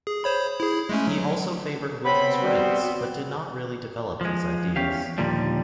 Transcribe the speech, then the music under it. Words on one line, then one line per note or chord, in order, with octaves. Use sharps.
He also favored women's rights but did not really develop these ideas.
G#4
C5 C#5 B5
E4 G#4
G#3 A3 C#4
F#3
B3 C4 C#5 B5
G3 F#4
F3 G#3
E2 C#4 G4 F5
D#2 A#2 D3 F3 G3